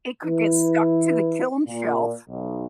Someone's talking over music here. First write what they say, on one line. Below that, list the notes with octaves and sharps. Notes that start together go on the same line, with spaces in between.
it could get stuck to the kiln shelf.
E3 E4 B4
A#2
B1